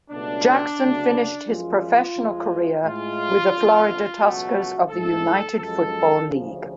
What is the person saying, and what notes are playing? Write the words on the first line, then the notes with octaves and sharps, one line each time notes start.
Jackson finished his professional career with the Florida Tuskers of the United Football League.
C#2 B2 F#3 A3 D4
D2 C#3 F#3 A3
F#2 F3 G#3 F4
F2 F3 G#3
A2 G#3 F4
F2 D3 F3 G#3
C#2 B2 F#3 A3 F#4
G#2 F3 A3 A4
F#2 F3 G#3 A4
D2 C#3 F3